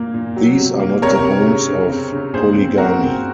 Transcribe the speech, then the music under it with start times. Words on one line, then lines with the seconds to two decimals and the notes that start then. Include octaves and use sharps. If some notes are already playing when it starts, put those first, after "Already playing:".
These are not the homes of polygamy.
Already playing: A#2 A#3
0.14 A#2
0.36 F#3
0.58 C3
0.80 A#3
1.02 C3 A#4 C#5
1.24 C3
1.46 C#3
1.68 C#3
1.90 C4
2.12 C#3
2.34 A#2 G#4 C5
2.56 C4
2.78 C4 F#4 A#4
2.99 C4